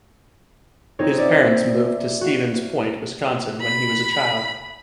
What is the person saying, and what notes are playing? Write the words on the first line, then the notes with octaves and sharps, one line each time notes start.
His parents moved to Stevens Point, Wisconsin when he was a child.
C4 D#4 F4 A#4 C#5
D5 E5
F#4 F5
B5